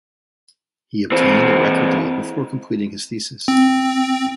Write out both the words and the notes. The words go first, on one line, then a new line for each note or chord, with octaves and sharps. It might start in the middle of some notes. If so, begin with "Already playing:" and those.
He obtained a record deal before completing his thesis.
E3 C4
C4